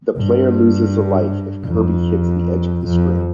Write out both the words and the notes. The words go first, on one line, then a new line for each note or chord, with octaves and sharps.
The player loses a life if Kirby hits the edge of the screen.
G2
F2
F2